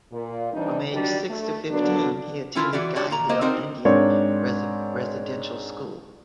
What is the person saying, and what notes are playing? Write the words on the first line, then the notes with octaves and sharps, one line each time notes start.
From age six to fifteen, he attended Guy Hill Indian Residential School.
A#2
E3 G3 C4 D4 D#4
D#3 F#3 G3 D4
A3
D3 F#3 A#3 B3 D4
C#4 E4 F4 A#4
E3 F#4 D5
D4 F#4 G4 C#5 D5
A#2 A#5
A#3 C5 D#5
C4 D4 D#4 F#4 A#4 C5
G#2 C4 D4 A#4 C#5